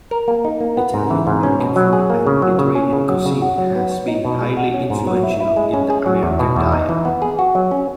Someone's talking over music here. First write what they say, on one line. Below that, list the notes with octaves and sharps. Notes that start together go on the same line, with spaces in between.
Italian-American food and Mediterranean cuisine has been highly influential in the American diet.
A#4
A#3
D#4
A#3
B3
G#2
E3
G#2
C#4
B2
F#3
G#4
A#3
C#3
F#3
C#3
C#4
C#3
F#3
C#3
F#4
F#3
B3
C#5
D#4
B2
G#3
F#4
C#4
G#2
F#3
E4
E4
G#3
C#4
G#4
F#3
E2
B2
E2
D#4
E3
B3
G#4
F#4
F#3
C#4